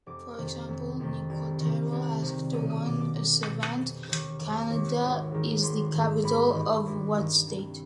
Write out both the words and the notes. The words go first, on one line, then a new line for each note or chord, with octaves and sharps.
For example, Nicotero asked one savant, Canada is the capital of what state?
F1 D6
F2 C3 D#3
F1
F2 C3 D#3
C2
C3 D#3
C2
C3 D#3
B1 D#6
D#6
B2 D6
D6
B1
B2
F1
D#2 D#3
F1 D6
D#2 D#3
G#1
G#2 D#3
G#1 C6
G#2 D#3
G#1 B5
G2 D#3
G#1
G2 D#3
C2